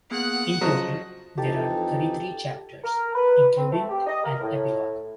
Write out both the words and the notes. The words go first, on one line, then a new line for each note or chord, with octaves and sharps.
In total, there are thirty-three chapters, including an epilogue.
A#3 B3 G#4 F#5 F#6
C#3 F3 F#3 D#5 A5 D#6
F2 E3 D#4 G4 A4 A5
A#4
B4
C4
A3
G4
D#5
A#4
A2